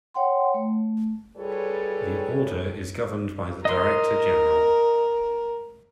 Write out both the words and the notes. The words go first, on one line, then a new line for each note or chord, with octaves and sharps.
The Order is governed by the Director General.
C#5 F#5 G5 C6
A3
G3 F4 G#4 A4 B4 C#5
A#4 D#5 C6